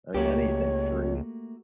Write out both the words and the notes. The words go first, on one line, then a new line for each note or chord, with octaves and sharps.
I mean, anything free.
C#2 A3 A#3 F#4 G4 C#5